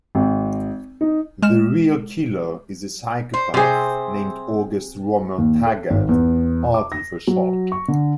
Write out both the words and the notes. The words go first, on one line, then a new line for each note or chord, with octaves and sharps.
The real killer is a psychopath named August Rommel Taggart, Arty for short.
G#1
D#4
G#3 F6 E7
C5
C3 C4 G#4 C5
D#2
A4
G#1
E2
D6
A#6
F#3
C#6
D3